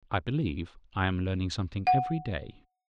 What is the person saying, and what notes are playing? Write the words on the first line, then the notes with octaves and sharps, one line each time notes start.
"I believe I am learning something every day."
F#5